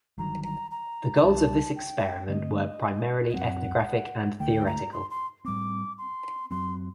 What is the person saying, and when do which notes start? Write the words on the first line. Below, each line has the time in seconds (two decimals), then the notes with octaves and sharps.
The goals of this experiment were primarily ethnographic and theoretical.
0.18 G1 G2 D#3 F#3 A#5
0.44 A#5
0.71 A#5
1.23 C2 C3 G3 A5
1.76 G5
2.28 G2 D3 A3 C4 D#5
3.30 D#5
3.34 F#2 F#3 C4 F#5
4.40 D2 D3 A3 G5
4.66 A#5
4.92 C6
5.10 C6
5.45 A2 G3 C4 D6
5.98 C6
6.51 F#2 F#3 C4 C6